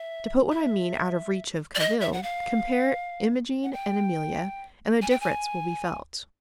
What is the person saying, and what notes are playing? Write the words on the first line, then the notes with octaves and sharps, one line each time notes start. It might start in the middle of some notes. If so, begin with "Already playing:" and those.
To put what I mean out of reach of cavil, compare Imogen and Amelia, and the difference will be felt.
Already playing: E5
E5
D5
D#5
E5
F#5
F5
F#5
G5
G#5
G5
G#5